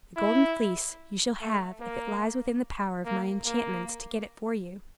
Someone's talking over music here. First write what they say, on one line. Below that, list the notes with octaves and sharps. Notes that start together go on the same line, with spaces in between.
The Golden Fleece you shall have, if it lies within the power of my enchantments to get it for you.
E4
A3
A#3
A#3
A#3